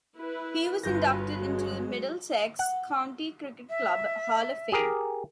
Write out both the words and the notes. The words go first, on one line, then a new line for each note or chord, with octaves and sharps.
He was inducted into the Middlesex County Cricket Club Hall of Fame.
E4 B4
G1 F4 F#4 B4 G6 A#6
F#3 G#3
F#5
E5
G4 G#4 A#4